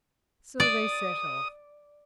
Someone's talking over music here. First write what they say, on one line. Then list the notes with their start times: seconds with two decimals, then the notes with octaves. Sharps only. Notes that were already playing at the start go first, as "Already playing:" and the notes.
So they set off.
0.60 D5 D#6